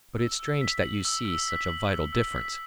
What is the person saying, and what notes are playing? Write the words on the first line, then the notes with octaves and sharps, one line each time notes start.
"But it's strange that you see such a vital difference."
E6
E6
B6
F#7
E6
E6
B6
F#7
E6
E6
B6